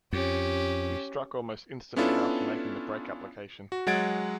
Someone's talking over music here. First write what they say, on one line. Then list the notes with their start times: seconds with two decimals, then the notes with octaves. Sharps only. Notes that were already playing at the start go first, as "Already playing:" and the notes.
We struck almost instantly after making the brake application.
0.13 F2 C#4 G4
1.96 B3 C#4 D4 E4 F4 A4
3.72 F#4
3.87 F#3 G#3 F#5 G#6 A6 D7